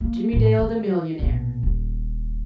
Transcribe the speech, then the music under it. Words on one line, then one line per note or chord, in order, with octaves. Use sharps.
Jimmie Dale the millionaire!
A#3
A2
D#3
A#1 B2
D#1